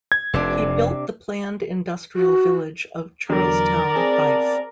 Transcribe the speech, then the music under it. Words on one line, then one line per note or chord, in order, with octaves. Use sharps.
He built the planned industrial village of Charlestown, Fife.
G#6
F1 C3 C4 D4
F#4
E2 D3 F#3 A#4 D5
B3 C4 D4 G#4 A5